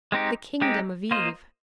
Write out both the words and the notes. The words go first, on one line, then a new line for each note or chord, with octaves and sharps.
The kingdom of Eve.
G#3 C4 D#4 G4
G#3 C4 D#4 G4
A#3 F4 C5 D#5